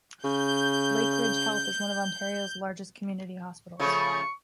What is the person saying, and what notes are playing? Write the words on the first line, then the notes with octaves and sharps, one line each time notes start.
Lakeridge Health is one of Ontario's largest community hospitals.
C#3 G6
C#3 F3 A3 C#6